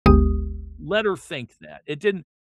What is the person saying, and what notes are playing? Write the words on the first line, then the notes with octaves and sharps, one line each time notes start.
let her think that, it didn't
G1 D2 G#3 B3 G4 D#6